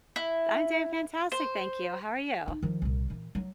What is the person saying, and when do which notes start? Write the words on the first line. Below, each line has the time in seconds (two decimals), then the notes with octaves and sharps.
I'm doing fantastic, thank you. How are you?
0.16 E4
1.32 C5
2.48 D#4
2.63 D#3 F3
2.82 C2 A#2
3.08 A#2 E3
3.35 F#3